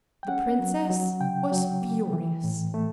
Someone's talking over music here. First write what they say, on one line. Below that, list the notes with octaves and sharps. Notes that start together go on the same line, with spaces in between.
The princess was furious.
G5
C#4 F#5
F#3
F#3
C#3 G5
F#3
A#3
E3
A2
A3